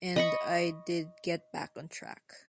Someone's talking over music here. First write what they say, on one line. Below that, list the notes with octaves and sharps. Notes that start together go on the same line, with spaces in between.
And I did get back on track.
D#5 B5 C#6